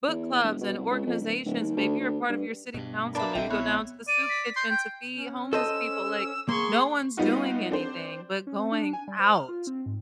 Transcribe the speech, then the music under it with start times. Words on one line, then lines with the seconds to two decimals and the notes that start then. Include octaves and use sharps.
book clubs and organizations, maybe you're part of your city council, maybe go down to the soup kitchen to feed homeless people, like, no one's doing anything, but going out!
0.08 E2
0.42 E1
0.61 B2
0.78 C2
0.90 C#2
1.06 F2
1.21 D1
1.46 D1
1.61 D#2
1.77 D2
2.00 D2
2.30 G2
2.74 G2 B2
3.15 A#3 D4 B4 D5 E5 A5 B5
3.35 A#1 D3 C4 D#5 E5 G5
3.50 B3 E4 C#5
4.08 D5 D#7
4.29 B6
4.56 C6 G6
4.71 G5
5.16 C#4
5.53 A4 C5 D#5 E6
6.49 A#3 G#4 C6 C#6
7.17 G3 B3 D#4 F4 F#4
7.70 C4 D4 C5
8.47 C#4
8.58 C4
8.72 D4
8.93 G#5
9.08 G3
9.19 C5
9.33 F6
9.49 F4
9.67 C4
9.86 G#2